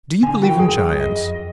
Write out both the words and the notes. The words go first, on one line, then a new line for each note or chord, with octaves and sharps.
Do you believe in giants?
D3 D4 G#5
E3 F#4 A#4 G5
F#2 G#4
F2 D#5